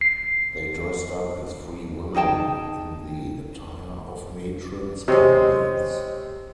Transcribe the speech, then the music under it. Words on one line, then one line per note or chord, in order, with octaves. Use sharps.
They dressed up as free women in the attire of matrons and maids.
C7
D#4 G#4 G5 A5
C3 G#3 C4 C5 C#5 D#5